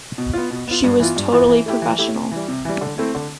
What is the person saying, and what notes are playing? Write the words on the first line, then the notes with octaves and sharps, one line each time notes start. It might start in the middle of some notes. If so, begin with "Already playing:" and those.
She was totally professional.
B2
B3 F4
B2
B3 F4
G2
E3 B3 F4
G2
E3 B3 F4
E3
A3 E4 G4
E3
A3 E4 G4
C3
E3 G3
C3
E3 G3
D3
A3 C4 E4
D3